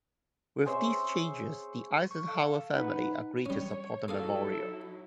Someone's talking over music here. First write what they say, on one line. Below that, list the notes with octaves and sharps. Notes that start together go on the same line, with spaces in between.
With these changes, the Eisenhower family agreed to support the memorial.
G#4 C5 C#5 E5
C#6
A4 F5
D#4 B4 F#5
G3 C#4 C#5
F#3 A#3 D#4 E4 G#4 A4 F5